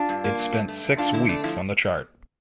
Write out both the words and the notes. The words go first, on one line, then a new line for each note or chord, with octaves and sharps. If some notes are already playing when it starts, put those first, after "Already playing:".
It spent six weeks on the chart.
Already playing: D4 F4
G2
A#3
G2
G2
A3
G2
G2 D4 F4
D3 E4
A3 D4
F3 E4